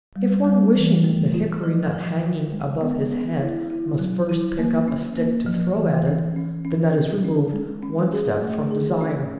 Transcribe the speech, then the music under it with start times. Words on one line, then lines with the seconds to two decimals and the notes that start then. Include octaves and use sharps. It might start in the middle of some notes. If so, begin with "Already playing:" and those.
If one wishing the hickory-nut hanging above his head must first pick up a stick to throw at it, the nut is removed one step from desire.
0.16 G3
0.44 G3
0.75 E3
1.04 A3
1.34 F4
1.64 F3
1.93 F3
2.23 D#3
2.52 G#3
2.81 B3
3.11 B3
3.41 E4
3.70 E4
3.99 F#3
4.29 E4
4.58 A#3
4.88 C#4
5.17 A#3
5.46 F3
5.76 E3
6.07 C#4
6.36 C#4
6.65 C#4
6.95 C#4
7.24 C#4
7.53 G#3
7.83 C#4
8.12 G#4
8.42 A3
8.71 G#4
9.01 C#4